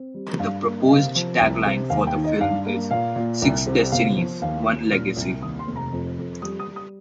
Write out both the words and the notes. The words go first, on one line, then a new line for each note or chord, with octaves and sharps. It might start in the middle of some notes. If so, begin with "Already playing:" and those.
The proposed tagline for the film is "Six Destinies - One Legacy".
Already playing: C4
G3
G2 F5
A#3
D#5
C3 F5
F3
C2
C3
D#2 F5
G5
D#3
D#5
G2 F5
A#3
A#2 F5
A#2
C2
C3
G1 F5
F3
D#2 F5
D#2
A#2 F6
C2
D#2 D#6
C6
F1
A#5
F2
F2
G3 D#6
D#6
G3
D#6